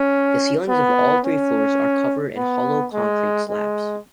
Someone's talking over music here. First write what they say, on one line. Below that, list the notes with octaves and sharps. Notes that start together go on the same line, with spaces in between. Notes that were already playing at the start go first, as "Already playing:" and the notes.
The ceilings of all three floors are covered in hollow concrete slabs.
Already playing: C#4
B3
C#4
B3
G#3
G#3